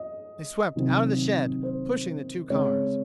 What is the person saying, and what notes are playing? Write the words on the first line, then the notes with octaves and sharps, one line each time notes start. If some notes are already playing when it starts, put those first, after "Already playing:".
They swept out of the shed, pushing the two cars.
Already playing: D#5
C3 D#3 F#3 C4
C5
C#3 G#3 C4 C#5